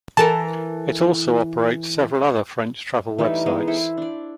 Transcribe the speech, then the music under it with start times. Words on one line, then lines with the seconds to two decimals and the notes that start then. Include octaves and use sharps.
It also operates several other French travel websites.
0.17 E3 A4 A#4 A5
3.18 E3 G3 A3 D#4
3.46 G#3 B3 G#4
3.67 E4 A4 C5
3.97 D4 D5